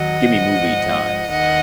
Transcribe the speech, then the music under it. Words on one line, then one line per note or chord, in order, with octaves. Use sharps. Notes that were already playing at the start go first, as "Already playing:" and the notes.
Gimme movie times.
Already playing: D#2 D#3 F#3 D#5 F#5
G#2 F3
D#2 D#3 D#5 F#5